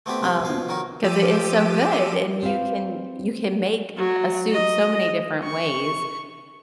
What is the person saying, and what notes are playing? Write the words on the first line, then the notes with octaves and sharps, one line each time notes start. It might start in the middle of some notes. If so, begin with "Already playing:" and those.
um, 'cause it is so good, and you can you can make a soup so many different ways
A3 B3 C4 D4 E4 G4
C2 C4 E4 G#5 D#6
B2 F3 F5 G#5
D#3 F#3 D#4 A#4
F3 G4 D6 E6 D#7
C4 F4 B4 F5
F#3
D#5
C#6